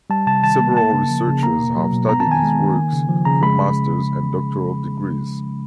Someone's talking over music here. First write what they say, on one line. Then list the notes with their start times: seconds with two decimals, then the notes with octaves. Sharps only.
Several researchers have studied his works for masters and doctoral degrees.
0.10 G3 A5
0.27 C3 A5
0.43 D#3 A5
0.61 A#3
0.77 A#3 A5
0.93 C#3
1.10 F3
1.27 C#3
1.43 A#3 A#5
1.59 B2
1.76 F#3
1.93 B2
2.09 B3 A#5
2.20 A5
2.27 D#3 G#5
2.43 G#3
2.60 D#3
2.76 A#3
2.93 C#3
3.09 F3
3.25 C#3 A#5
3.43 G#3 B5